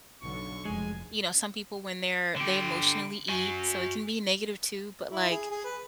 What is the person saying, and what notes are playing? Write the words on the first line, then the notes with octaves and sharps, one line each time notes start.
you know, some people when they're they emotionally eat, so, it can be negative too, but like
B1 D3 C#6
F1 G#3 G#5
D3 G4
F#4 G#5
E4
G#4
G#4
B4